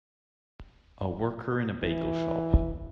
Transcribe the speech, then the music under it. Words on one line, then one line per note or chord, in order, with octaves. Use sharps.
A worker in a bagel shop.
E3